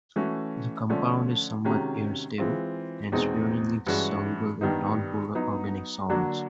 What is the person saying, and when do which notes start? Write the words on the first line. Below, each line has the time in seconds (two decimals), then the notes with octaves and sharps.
The compound is somewhat air-stable and sparingly soluble in nonpolar organic solvents.
0.16 E3 A3 C#4 F#4
0.89 D3 F3 A3 C#4
1.64 C3 D#3 G#3 C#4 F#4
2.38 E3 G#3 C4 F4
3.12 E2 B2 G#3 C4 D#4
3.86 G2 E3 G#3 C#4 F#4
4.61 G2 D#3 G3 B3 D#4
5.35 F#3 B3 D#4
6.10 D3 F#3 A#3 D4 F#4